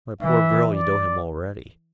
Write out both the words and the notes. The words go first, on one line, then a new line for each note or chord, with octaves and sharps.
"My poor girl, you know him already."
E3 E5
D5